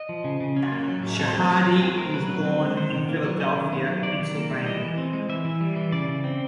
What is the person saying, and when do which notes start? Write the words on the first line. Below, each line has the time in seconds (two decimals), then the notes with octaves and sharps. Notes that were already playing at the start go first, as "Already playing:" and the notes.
Shahade was born in Philadelphia, Pennsylvania.
Already playing: D#5
0.09 F3
0.24 C#3
0.40 C#3
0.56 C#4
0.72 A#3
0.88 F#3
1.03 F#3
1.19 C4 A4
1.35 A3
1.51 F#3
1.67 F#3
1.82 C4 G#4
1.98 A3 A#4
2.14 F#3 B4
2.29 F#3
2.45 C4
2.61 G#3
2.77 D#3 C5
2.93 D#3
3.09 A#3
3.24 F#3
3.40 C#4 D#5
3.56 D#3
3.72 B3
3.87 F#3
4.03 D#3 D5
4.19 D#3
4.35 A#3
4.50 G3
4.66 E3 D#5
4.81 E3
4.98 C4
5.13 G#3
5.29 E3 E5
5.44 E3
5.61 G3
5.76 E3
5.92 C#3 D5
6.08 C#3
6.24 C4